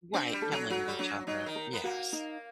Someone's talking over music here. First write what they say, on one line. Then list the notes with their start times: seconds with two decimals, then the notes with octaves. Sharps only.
Right, yelling at each other, yes.
0.14 C4 D4
0.32 G3
0.42 A4
0.52 F#3
0.70 F#3 F#4
0.88 G3
0.99 F#3 D4
1.27 F#3 D#4
1.46 D#3
1.56 A#4
1.73 B3
1.84 A#3 F#4
2.13 D#4